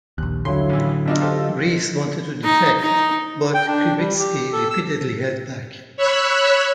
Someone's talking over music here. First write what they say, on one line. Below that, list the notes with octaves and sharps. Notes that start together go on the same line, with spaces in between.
Reiss wanted to defect, but Krivitsky repeatedly held back.
A#1 D#2 F#6
D3 F#3 E4 C#5 F5 C6
A1 E3
B2 D4 D#4 F4 D#5 E6
G4 A4 C5
D#4
D#4
G5
D4
G3
G4
A4
E6
C#5 B5 E6 F#6